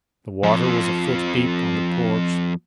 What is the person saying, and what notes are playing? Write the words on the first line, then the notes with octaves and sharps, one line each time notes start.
The water was a foot deep on the porch.
F2 F3